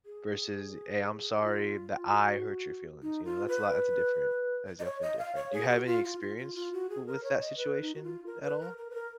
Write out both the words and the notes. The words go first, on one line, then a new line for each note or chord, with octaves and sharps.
versus, "Hey, I'm sorry that I hurt your feelings," you know, that's a lot it's a different. That's definitely different. Do you have any experience w with that situation at all?
G#4
F4
F#4
D#4
F4
B4
D#5
C#5
D#5
F5
C#5
G#4
F#4
F4
F4
F4
F4
F4
F#4
G#4
A#4
C#5
D#5
B4
D#4
F#4
F4
A#4
B4
A#4
A#4
B4
A#4